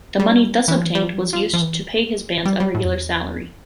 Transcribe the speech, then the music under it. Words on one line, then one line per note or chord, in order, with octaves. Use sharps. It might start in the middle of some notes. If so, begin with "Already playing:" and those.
The money thus obtained was used to pay his bands a regular salary.
G3
E3
F3
E3
G3
F3
G3
F3
F3
F3
E3
G3
G3
A2
F2
E2